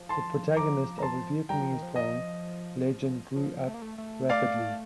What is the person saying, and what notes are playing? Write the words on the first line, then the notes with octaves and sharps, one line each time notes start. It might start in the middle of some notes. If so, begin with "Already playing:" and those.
The protagonist of the Vietnamese Giong legend grew up rapidly.
Already playing: F3
A5 C6
A#5 D6
A#5
A5 C6
G3 G5 A#5
F3
D#3
F3
D#5
F3
A3
A#3
A3
A3
A3 D5 F5